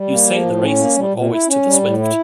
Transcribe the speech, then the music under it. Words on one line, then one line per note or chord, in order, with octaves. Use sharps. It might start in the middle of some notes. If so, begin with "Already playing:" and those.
You say the race is not always to the swift.
Already playing: G3
A#3
F3
A2
C#4
A#3
G3
A#2
E4
C#4
G3
A2
E4